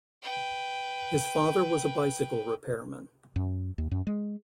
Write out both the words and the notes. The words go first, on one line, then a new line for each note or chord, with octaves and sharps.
His father was a bicycle repairman.
B4 G5
F#2
D#2
F#2
G#3